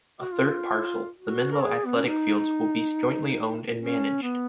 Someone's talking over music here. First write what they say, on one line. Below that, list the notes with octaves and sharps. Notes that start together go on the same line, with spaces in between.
A third parcel, the Menlo Athletic Fields, will still be jointly owned and managed.
F#4
F4
F#4
A#4
G#4
B3
C#4
D#4
C#4
B3